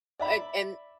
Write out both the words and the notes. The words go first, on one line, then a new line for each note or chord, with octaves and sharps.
and and
D5 E5 B5